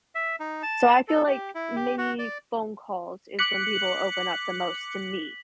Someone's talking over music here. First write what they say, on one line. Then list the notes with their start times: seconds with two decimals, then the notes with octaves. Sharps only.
So I feel like maybe phone calls is when people open up the most to me.
0.15 E5
0.40 D#4
0.63 A5
1.08 A4
1.27 G4
1.55 E4
1.76 G4
1.98 F#4
2.19 D5
3.39 D6 F#6 B6 C#7 F#7